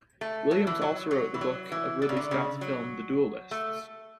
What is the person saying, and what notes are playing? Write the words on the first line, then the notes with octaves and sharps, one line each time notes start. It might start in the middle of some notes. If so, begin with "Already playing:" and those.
Williams also wrote the book of Ridley Scott's film "The Duellists".
A3
F#3
E3
F#3
F#3
E3
F#3
E3
D3
C#3
D3
C#3
F#3
A3